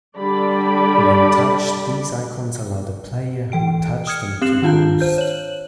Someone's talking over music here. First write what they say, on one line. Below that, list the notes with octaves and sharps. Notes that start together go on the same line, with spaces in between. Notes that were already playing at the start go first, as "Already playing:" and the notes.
When touched these icons allow the player who touched them to boost.
D3 G3 D5 B5
E3 G5 D7
D#6 F6 G#6 C#7
C4 G4 F#6 C7 E7 F#7
D#3 D4 F4 F5 A5 G6
C5 G6
C#5 F#7